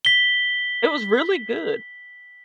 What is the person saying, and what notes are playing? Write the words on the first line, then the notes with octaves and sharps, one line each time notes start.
It was really good.
B6 G7